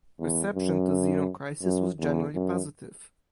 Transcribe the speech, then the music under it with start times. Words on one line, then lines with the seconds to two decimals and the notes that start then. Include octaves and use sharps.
Reception to Xeno Crisis was generally positive.
0.19 E2
0.54 F#2
1.63 F#2
1.99 E2
2.35 F#2